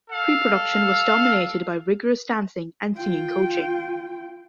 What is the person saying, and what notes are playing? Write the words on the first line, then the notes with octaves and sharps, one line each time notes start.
Preproduction was dominated by rigorous dancing and singing coaching.
A4 F5
F4 G5